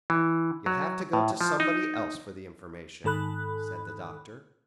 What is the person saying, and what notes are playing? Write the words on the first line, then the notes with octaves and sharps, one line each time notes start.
"You'll have to go to somebody else for the information," said the Doctor.
E3
F#3
A2
F3
D#4
G#2 D#3 A4 B5 F#6